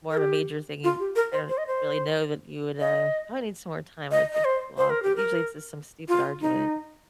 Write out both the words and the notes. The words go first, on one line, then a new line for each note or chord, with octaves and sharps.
more of a major thing he I don't really know that you would, uh, probably need some more time, I would think, to cool off, but, usually, it's just some stupid argument.
A#4
G4
F4
G4
A#4
C5
C5
D#5
C5
D#5
D#5
D#5
C5
C5
A#4
G4
A#4
F4
D#4